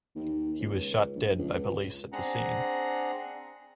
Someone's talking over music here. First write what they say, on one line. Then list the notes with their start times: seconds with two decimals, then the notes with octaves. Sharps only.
He was shot dead by police at the scene.
0.16 D#2
0.60 C#2
1.16 A#1
1.38 C#2
2.12 C4 D4 G#4 F#5 A#5